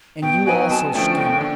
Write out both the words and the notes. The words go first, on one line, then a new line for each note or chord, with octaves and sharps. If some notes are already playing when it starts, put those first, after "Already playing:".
And you, also, Skinner?
B2 G5
F#3 B3 D#4 F#4 G#5
F2 A5
D3 F3 A3 C#4 G5 G#5
D#2 G5
D3